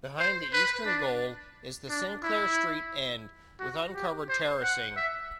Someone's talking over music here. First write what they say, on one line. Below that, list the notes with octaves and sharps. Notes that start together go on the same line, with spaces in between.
Behind the eastern goal is the "Sinclair Street" end, with uncovered terracing.
C5
B4
D4
D4
E4
F#4
G4
C5
F#5
E5